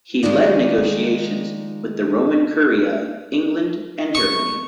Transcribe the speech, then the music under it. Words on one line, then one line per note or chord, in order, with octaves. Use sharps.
He led negotiations with the Roman Curia, England and Germany.
D#3 F3 G#3 D#4 D5
C#6